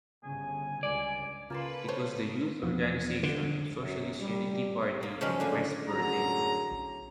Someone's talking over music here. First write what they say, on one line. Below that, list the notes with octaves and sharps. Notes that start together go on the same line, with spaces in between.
It was the youth organization of Socialist Unity Party of West Berlin.
G1 C#3 G#5
C#2 G2 D5
C#3 A#3 F4 A4 B4 A5 C6
C5 C#5
E2 F3 B3
D3
F#2
G3
A#3
C#3 F3 F#3 G#3 C#4
D3 A#3 G#5
F#2 A2 D3 F#3 G#4 A#5